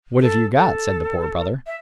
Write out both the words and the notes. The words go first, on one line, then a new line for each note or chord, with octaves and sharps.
"What have you got?" said the Poor Brother.
A4
A4
E5